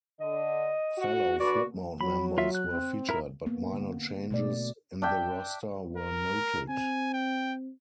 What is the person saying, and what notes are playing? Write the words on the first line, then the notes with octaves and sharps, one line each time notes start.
Fellow Flipmode members were featured, but minor changes in the roster were noted.
D3 D#5
F#4
D3 F#4 B4 D5
F#3 B5
F4 E5
F#6
C4
E4 A#4 A#5
A#3 B3
D3
B2 A3 D5
D4 E5 G5
A#4
C4 G#5
G5